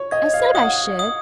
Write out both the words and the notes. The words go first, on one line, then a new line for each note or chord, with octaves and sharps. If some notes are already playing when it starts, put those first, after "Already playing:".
I said I should.
Already playing: C#5
D#5 G#6
F5
F#5 D#6
D#6